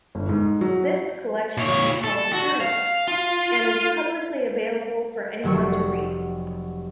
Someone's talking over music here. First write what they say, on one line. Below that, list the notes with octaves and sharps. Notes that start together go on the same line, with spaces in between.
This collection is called "journals", and is publicly available for anyone to read.
G1
G#2
F#3
A#2 C#5
A4
F#4
F5
F4
F1 F#3 G3 C#6